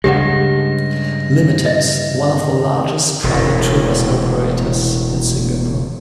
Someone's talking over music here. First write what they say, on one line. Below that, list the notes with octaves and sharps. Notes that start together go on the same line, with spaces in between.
Limited, one of the largest private tour bus operators in Singapore.
G2 C#3 G#3 G4 F#5 A#6
D#5 E5
E1 A2